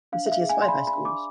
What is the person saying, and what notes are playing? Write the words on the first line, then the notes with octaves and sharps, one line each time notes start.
The city has five high schools.
D4 F5
E5
F5
G#4
G#5
C6
D5 B5
B5
D4
D6